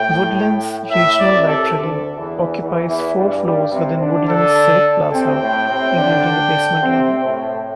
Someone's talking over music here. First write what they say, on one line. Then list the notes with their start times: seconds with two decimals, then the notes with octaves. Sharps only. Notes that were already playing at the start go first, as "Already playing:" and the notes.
Woodlands Regional Library occupies four floors within Woodlands Civic Plaza including a basement level.
Already playing: A2 G5
0.91 A2 E5
1.20 D5
1.33 C2 C3
1.48 A4
1.76 D2 D3
2.18 E2 E3
2.60 E2 E3
2.88 E2 E3
3.16 G2 G3
3.44 G2 G3
3.72 C3 C4
4.00 D3 D4
4.29 A4
5.13 C3 C4 G5
5.41 A2
5.69 C3 C4
5.97 D3 D4
6.82 C3 C4
7.24 A2 A3